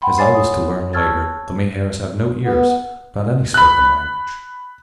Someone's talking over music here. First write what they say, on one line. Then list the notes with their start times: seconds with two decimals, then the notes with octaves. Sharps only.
As I was to learn later, the Mahars have no ears, not any spoken language.
0.02 F#5 G5 B5 C6
0.18 C#5 G#5 A6 C7
0.35 D#6
0.93 A5 C#6 E6 F6 G#6 A6
2.44 B3
3.54 B5 F#6